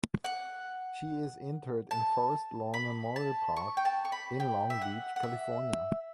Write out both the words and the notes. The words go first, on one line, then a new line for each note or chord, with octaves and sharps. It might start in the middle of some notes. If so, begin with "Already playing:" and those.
She is interred in Forest Lawn Memorial Park in Long Beach, California.
F#5
A5
B5
A5
C#6
G5
A5
C#6
B5
G5
E5
F#5
F#5
E5